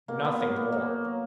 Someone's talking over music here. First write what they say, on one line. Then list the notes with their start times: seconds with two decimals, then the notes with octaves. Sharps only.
Nothing more.
0.08 B2 A#3
0.25 B3
0.40 F#3 A#3
0.56 B3
0.72 B2 A#3
1.05 F#3